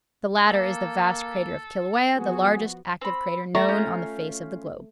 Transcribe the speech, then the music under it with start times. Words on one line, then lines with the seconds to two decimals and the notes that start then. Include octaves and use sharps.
The latter is the vast crater of Kilauea, the largest active crater known on the face of the globe.
0.44 A#3 A4
2.17 F3 B3 F#4 G#4
3.01 C4 B5
3.55 A3 D5 A#5 C#6
3.68 C#4 F4 G6